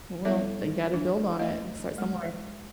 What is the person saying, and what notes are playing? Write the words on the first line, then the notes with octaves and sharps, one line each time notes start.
Well, you gotta build on it and start somewhere.
G3 B3 E4 A4 C#5 E5
D4
A3 D#5 F5
G#3